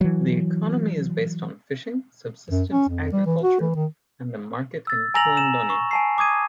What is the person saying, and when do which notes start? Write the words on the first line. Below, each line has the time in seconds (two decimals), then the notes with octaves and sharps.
The economy is based on fishing, subsistence agriculture and the market in Kilindoni.
0.01 E3 F#3
2.50 F#2
2.71 C#4
2.89 F2
3.12 G3
3.26 E3
3.42 F#4
3.61 E3
3.75 D#3
4.87 E6 A6
5.14 G#5 A#5 E6 A#6 F7 F#7
5.37 E7
5.70 C#6
5.91 G#5 A5 C7
6.18 D6 D#6 G#6 D#7